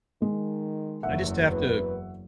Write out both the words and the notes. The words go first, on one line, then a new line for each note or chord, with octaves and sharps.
I just have to
D#3 G#3
F#1 E2 F#3 E5 F#5
B4